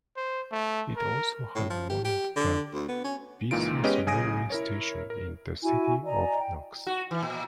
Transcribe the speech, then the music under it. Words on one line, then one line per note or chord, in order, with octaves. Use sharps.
It also has one of the busiest railway stations in the City of Knox.
C5
A3
A#4
A2
F3
G4
G4
D3
D2
B3
C#4
C#2 A#2 E3 D#4 F4 D7
G#3 B3 C#4 G4 B4 D#5
B1 C#3 G#5 D#6 A#6 D7
E4 A#4 C#5
A#4
E4 F#4 G#5
D5 D#5 G#5 A#5
G5
F#4
E3
A#2